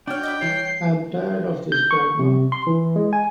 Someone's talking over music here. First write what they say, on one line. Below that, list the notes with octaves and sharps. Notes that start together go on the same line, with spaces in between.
I'm tired of this, grandma!
D4 F#4 C#5 G5 F6 A6
D#5 B5
E3 G3 C#5 C7
G6
C#6
C3
C6
E3
G#3
G#5